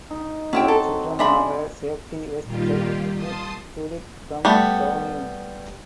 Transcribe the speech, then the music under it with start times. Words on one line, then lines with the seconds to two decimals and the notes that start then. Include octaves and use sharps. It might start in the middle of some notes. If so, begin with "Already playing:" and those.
The children are her safety vest that keep Judith from drowning.
0.11 D#4
0.53 F#3 C4 C#4 E4 G5
0.68 A4
1.19 G#3 D4 E5 B5
2.44 A#2 D#3 G3 A#3 F4 G4
3.15 A5 C6 D#6
4.45 G3 A3 B3